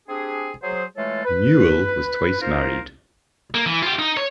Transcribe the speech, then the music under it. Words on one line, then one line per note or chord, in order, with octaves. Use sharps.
Newell was twice married.
C4 D4 G4 G#4
F#3 G#4 C5
E3 G#3 A3 F4 A4 C#5
B4
A#3 D#4 F4 A#4 C5
A#3
E3
F4 G4
D#4
C#5